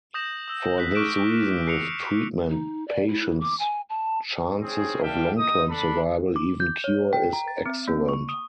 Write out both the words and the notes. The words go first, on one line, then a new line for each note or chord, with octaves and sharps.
For this reason, with treatment patients' chances of long-term survival, even cure, is excellent.
D#6 G6 A#6 E7 F#7
D#6 E6
F#6 B6
C#6 D6 F6 F#6 D7 E7
F#6 C7 C#7 F7
D#4
D5
E4
D6
G#5
A5
C4 C#4 G#4
G3 D4 E5 F5 G5
D#4 D#6
D4 A4 B5
D6
G6
C#5
G5
A#5
A6
C4
A#3
C#6
D#6